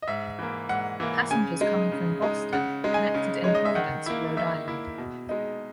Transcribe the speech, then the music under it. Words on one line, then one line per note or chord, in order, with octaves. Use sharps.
Passengers coming from Boston connected in Providence, Rhode Island.
D#5
G#2 E5
E3 A#3
G#2 F#5
E3 A#3
C#3 G#5
G#3 D#4
C#3
G#3 D#4
C#3 F#5
G#3 D#4
G#5
C#3
G#3 D#4 C#5
D#5
E5
D#3 F#5
A#3 E4
D#3 E5
A#3 E4
B2
G#3 D#4